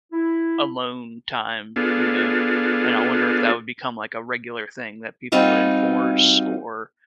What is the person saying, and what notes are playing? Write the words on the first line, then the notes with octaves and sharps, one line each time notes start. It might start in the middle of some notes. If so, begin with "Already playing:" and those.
alone time, you know? And I wonder if that would become, like, a regular thing that people would enforce or,
E4
B3 D4 F4 G#4 A4
G3 C4 D#4 F4 F#4